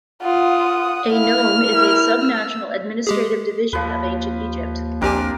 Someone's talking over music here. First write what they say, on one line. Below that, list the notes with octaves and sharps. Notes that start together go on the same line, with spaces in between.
A nome is a subnational administrative division of Ancient Egypt.
F4 F#5 D#6
E4 F5 F6
E4 A#4
E6
G#3 G4 G#4
D#2 F3 B4
A#1 C4 D4 G4 A#4 G#5